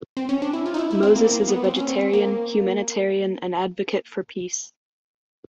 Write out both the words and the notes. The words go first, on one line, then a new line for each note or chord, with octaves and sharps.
Moses is a vegetarian, humanitarian and advocate for peace.
C4
C#4
D4
E4
F4
D#4
E4
E4
C4
A#3
A#3
B3
C4
C#4
C4
A#3